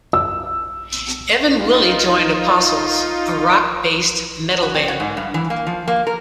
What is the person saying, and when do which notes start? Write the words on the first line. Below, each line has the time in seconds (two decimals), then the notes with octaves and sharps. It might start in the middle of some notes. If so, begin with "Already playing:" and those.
Evan Willey joined Apostles, a rock-based metal band.
0.13 E6
1.51 D#4 F4
4.63 F#4
4.74 C4
4.88 F#4
5.00 G#2
5.17 G2
5.34 E3
5.50 A#3
5.67 F3
5.88 A#3
6.07 A#4